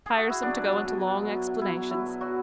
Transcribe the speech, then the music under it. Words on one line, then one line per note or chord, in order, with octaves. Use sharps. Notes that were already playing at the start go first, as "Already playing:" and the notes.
Tiresome to go into long explanations.
G#4
F#4
E4
F#3 D4
B2
F#3
B2
B2
B2
B2
F#3
B2 E4
F#3
F#3 E4
B2
F#3 F#4